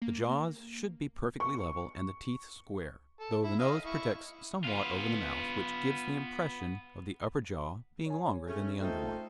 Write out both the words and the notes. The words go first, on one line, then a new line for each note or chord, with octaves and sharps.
The jaws should be perfectly level, and the teeth square, though the nose projects somewhat over the mouth which gives the impression of the upper jaw being longer than the under one.
A#3
C#6
A4
E4
D#5 F5
E4 C#6
B3 F4
C#5 G#5
A3 C#4 G#4
A3 C4 D#4 F4